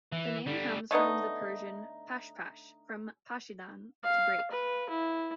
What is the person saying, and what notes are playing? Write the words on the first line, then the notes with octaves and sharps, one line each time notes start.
The name comes from the Persian "pash-pash", from "pashidan", to break.
E3
D3 G3
D3 A3 B3 D#4
F5
B4
E4